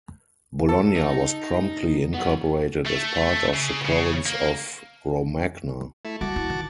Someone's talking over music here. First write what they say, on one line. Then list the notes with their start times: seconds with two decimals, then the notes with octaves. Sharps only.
Bologna was promptly incorporated as part of the province of Romagna.
0.69 A4
0.96 D#4
2.14 F#3 B3
2.86 A3
3.54 C#3
3.85 C#3
4.26 A#3
6.05 A3 E4
6.21 G3 F#4 A5 D6
6.36 E4
6.50 D#3